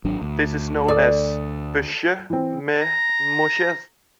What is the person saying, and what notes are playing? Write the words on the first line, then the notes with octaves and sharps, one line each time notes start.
This is known as beschuit met muisjes.
G#1 F#3 D4
D2
A4 D5 D#6
E3 C4
A#5